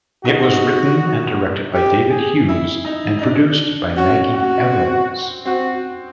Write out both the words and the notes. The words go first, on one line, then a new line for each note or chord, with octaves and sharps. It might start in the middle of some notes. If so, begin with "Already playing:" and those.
It was written and directed by David Hughes and produced by Maggie Evans.
D#4 F#4
G4
G#4
E4
D#4
D#4
D4
C#4 F#4
F#4
C4
C4 F#4